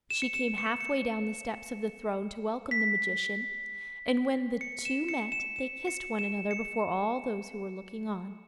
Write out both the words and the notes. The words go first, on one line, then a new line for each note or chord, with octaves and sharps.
She came half-way down the steps of the throne to welcome the magician, and when the two met they kissed one another before all those who were looking on.
E7
C#7
E7
C#7
C#7
B6
C#7
E7
C#7
E7
E7
C#7
E7
C#7